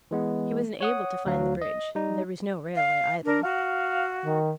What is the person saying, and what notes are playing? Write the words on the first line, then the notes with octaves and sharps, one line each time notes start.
He was unable to find the bridge: there was no railway either.
E3 G#3 B3
C#5 F#5 D#6
D2 F#3 F5
D#5
G3 D#4
F5
D4 A#4
F#4 F5
D#3